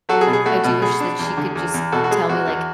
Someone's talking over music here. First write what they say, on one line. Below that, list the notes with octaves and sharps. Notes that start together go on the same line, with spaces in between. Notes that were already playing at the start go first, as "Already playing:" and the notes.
I do wish that she could just tell me, like
F#3 F#4 A4
G#4
B2
G#4
A3 F#4
B2
B2 G#4
D4
E2
D3
E2
E2
B2 F#4 A4
F#4
G#3 G#4
E2 F#4
E2